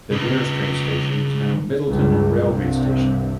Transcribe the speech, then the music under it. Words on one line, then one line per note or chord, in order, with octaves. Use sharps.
The nearest train station is now Midleton railway station.
C#3 B4
C#2 G2
C2 G2 C3